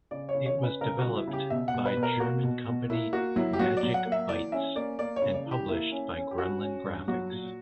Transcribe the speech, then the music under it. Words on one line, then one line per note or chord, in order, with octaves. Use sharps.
It was developed by German company Magic Bytes and published by Gremlin Graphics.
C#3 D5
C#5
C#3
C#5
C#4
B4
C#3 A#4
F#4
G3
E4
C#3
G4
B2 E5
F#5
B2
B4
B2
A#4
A#3 F#4
B2
B2
A#3 E4
A#3 F#4
F#3 E4
G4
F#3 F#4
D5
F#3
F#5
A#3
E5
E3 D5
C#4 E5
A#3 D5
A#3 D5
C#5
C#3
D5
E3
G4
A#3 E4
C#4
C#4
G4
C#4 F#4
C#4
G2
F#3 F#4
A#2